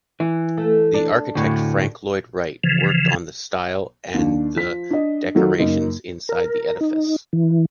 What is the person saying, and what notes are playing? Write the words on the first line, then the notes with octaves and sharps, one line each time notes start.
The architect Franck Lloyd Wright worked on the style and the decorations inside the edifice.
E3
A3
D4
D2 A2
C#3 E3 F3
D#2 D4
F3 B6
D4 D#5
D#3 F3 F#3 F4 A4
F#2 C#3 A#3 D#4 A#4
A#4
D#4
E3